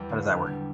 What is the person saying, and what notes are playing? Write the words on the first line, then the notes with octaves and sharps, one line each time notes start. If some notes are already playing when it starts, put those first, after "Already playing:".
How does that work?
Already playing: E2 G3
D3
E2
G3